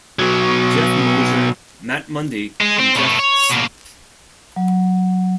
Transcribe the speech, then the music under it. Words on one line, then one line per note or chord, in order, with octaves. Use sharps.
Jeff Mosier, Matt Mundy and Jeff Sipe.
B2 F#3
G#3
C4
B2 A3
C#5
B2 A#3
F#3